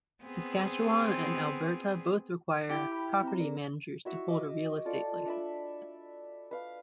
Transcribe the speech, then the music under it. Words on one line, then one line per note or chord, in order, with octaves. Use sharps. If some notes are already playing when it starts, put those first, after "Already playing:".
Saskatchewan and Alberta both require property managers to hold a real estate license.
B3 C4 G#4
E4 G4 G5
B5
C4 A#5
G#4 A#4 D5
E4 F#4 E5 C#6
D#5 D6
F4 A4 D5
D4 E5 B5
B4 F5